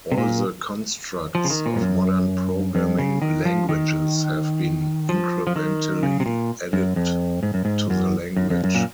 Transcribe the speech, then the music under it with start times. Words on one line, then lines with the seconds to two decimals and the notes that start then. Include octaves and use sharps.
All the constructs of modern programming languages have been incrementally added to the language.
0.12 C3
0.18 A#2
1.35 F3
1.44 C#3
1.50 D#3
1.66 A#2
1.76 G#2
1.81 F#2
2.75 F2
2.98 C#3
3.22 D#3
3.45 F3
3.69 D#3
5.09 F3
5.47 F3
5.56 D#3
6.03 C#3
6.20 C3
6.26 A#2
6.73 F#2
6.96 F2
7.43 G#2
7.54 F#2
7.65 G#2
7.90 F#2
8.37 F#2
8.50 F2
8.64 F#2
8.75 A#2